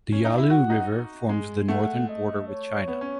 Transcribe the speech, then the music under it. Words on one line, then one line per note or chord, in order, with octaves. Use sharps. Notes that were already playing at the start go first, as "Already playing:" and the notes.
The Yalu River forms the northern border with China.
C#4
D#4
E4
F#4 F#5
D#4
G#3
A3 F#5
D#5
C#5
B3
C#4